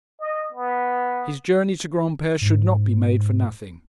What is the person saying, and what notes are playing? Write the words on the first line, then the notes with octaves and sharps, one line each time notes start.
His journey to Granpere should not be made for nothing.
D#5
B3
G#2